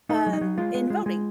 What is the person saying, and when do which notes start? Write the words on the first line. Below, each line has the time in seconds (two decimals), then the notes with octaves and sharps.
um, in voting.
0.09 A3 D#4
0.26 F#3
0.33 D#4
0.41 F#3
0.58 G#3 F4
0.74 G#3
0.90 G#3
1.06 G#3